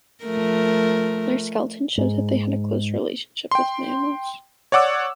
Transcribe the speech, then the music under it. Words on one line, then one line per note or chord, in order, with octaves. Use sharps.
Their skeleton shows that they had a close relationship with mammals.
F3 A3 A#4
G#2
G5 C6
C#5 D5 F#5 D6 E6